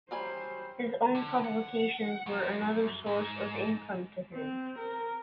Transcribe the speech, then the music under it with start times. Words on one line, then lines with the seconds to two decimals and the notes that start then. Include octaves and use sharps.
His own publications were another source of income to him.
0.11 F#3 G3 C5 G#5
1.15 D3
1.44 F#5
2.26 F#2
3.06 G#2
4.33 C4
4.78 A#4